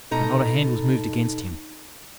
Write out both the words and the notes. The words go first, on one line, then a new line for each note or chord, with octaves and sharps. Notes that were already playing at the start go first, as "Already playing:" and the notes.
But not a hand was moved against him.
B2 D#4 A4 A#5